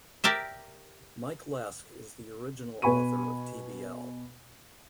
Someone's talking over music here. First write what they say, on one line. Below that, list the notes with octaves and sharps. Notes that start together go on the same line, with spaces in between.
Mike Lesk is the original author of tbl.
G4 A#4 D5 E5
B2 B4 G#5 B5 C#6 D#7